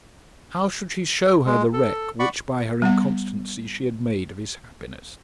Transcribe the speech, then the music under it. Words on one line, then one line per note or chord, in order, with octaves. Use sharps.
How should he show her the wreck which by her inconstancy she had made of his happiness?
G#3
A4
D5 F#5 B5 C#6
G3 B3 F#5